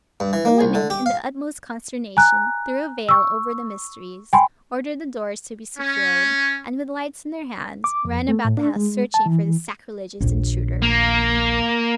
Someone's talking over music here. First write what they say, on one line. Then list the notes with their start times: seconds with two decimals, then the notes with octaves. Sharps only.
The women in the utmost consternation, threw a veil ever the mysteries, ordered the doors to be secured, and with lights in their hands, ran about the house searching for the sacrilegious intruder.
0.20 G2
0.33 E3
0.45 A#3
0.61 C2
0.75 D3
0.90 G4
1.06 F5
2.17 G#5 A#5 F#6
3.09 C#6 E6
4.33 G5 G#5 B5 C6
5.78 C#4
7.84 D6
8.05 F2
8.28 A3
8.45 A2
8.57 D4
8.76 G#3
9.14 A5
9.26 E3
10.21 A#1 D#2
10.82 A#3